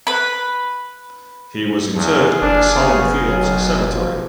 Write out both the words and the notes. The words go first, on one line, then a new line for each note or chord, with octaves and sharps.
He was interred at the Salem Fields Cemetery.
B4 B5
E2 F4 G#4
F#1 D4
C#3 B3
B1 F#3
F3